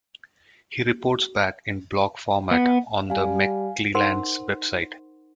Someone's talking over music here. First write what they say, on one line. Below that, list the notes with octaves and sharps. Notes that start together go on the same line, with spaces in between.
He reports back in blog format on the McClelland's website.
B3
G3 F5 G#5
D#4 A#4 C5 F#5 C6